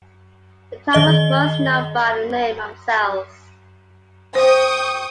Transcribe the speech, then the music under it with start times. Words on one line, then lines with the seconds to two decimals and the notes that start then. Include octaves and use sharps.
The town was once known by the name of Celles.
0.93 D#3 D#5 G7
4.35 C5 G5 C#6 D#6